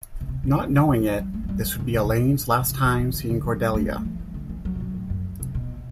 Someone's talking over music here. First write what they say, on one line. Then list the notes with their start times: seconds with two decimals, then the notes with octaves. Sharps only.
Not knowing it, this would be Elaine's last time seeing Cordelia.
0.21 B2
0.29 C3
0.44 D3
0.59 E3
0.73 F#3
0.89 E3
1.03 E3
1.18 G3
1.34 A3
1.43 F#3
1.49 G3
1.63 E3
1.79 C3
1.94 B2
2.04 B2
2.09 A2
2.61 B2
2.69 C3
2.85 E3
2.99 E3
3.14 D3
3.29 D3
3.44 F#3
3.60 G3
3.74 A3
3.89 G3
4.05 E3
4.19 E3
4.34 D3
4.49 E3
4.65 F#3
4.75 A2
4.80 B2
4.94 A2
5.10 F#2
5.40 C3
5.55 B2